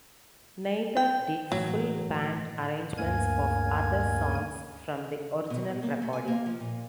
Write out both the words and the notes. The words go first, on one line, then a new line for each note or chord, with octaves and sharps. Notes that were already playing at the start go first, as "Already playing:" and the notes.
Neither did full-band arrangements of other songs from the original recording.
G5
A2 E3 F#3 A#3
D2 G2 A#3 A#4 G#5 G#6
B2
A#3
A3
G#5
A#3
F3
A#2